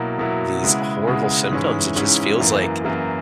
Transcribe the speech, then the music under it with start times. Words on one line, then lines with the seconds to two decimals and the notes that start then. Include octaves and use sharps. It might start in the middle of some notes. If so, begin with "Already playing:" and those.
these horrible symptoms, it just feels like,
Already playing: B2 F#3 A#3 E4
0.18 B2 F#3 A#3 E4
0.63 C#3 G#3 B3 E4
1.07 C#3 G#3 B3 E4
1.51 G#2 E3 G#3 C#4 E4
1.96 G#2 E3 G#3 C#4 E4
2.40 F#2 E3 A#3
2.85 F#2 E3 A#3